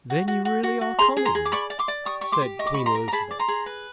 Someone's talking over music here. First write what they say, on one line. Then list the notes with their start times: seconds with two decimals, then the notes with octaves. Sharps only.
"Then you really are coming?" said Queen Elizabeth.
0.10 F#4
0.28 F#4
0.45 F#4
0.63 F#4
0.81 F#4
0.99 G#4 A#5 C6
1.17 G#4
1.25 A#5 C6
1.35 G#4
1.45 D6
1.52 D5 B5 C#6
1.70 D5
1.79 C6 D6
1.88 D5
2.05 G4 C#6 D#6
2.21 G4 C#6
2.32 C6 D6
2.42 G4
2.59 D#5 C#6
2.67 D6
2.74 B5 C#6
2.77 G4
2.86 A#5 C6
2.95 A#4
3.08 A#5
3.13 G#4 A5 B5
3.31 D5
3.39 A#5 C6
3.48 G#4
3.66 B4